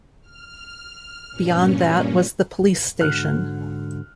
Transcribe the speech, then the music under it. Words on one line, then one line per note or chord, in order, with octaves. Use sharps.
Beyond that was the police station.
F6
G2 A#2 C#4
G#2 D3 F#4 F6 F#6